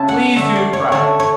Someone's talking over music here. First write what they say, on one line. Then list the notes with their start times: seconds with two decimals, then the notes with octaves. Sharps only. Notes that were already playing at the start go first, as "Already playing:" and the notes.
Please do try.
Already playing: C#3 C#4 E4 A5
0.09 F#5
0.36 D3 A3 D4 E5
0.56 D5
0.73 C#5
0.92 D3 A3 D4 C#5
1.20 C#5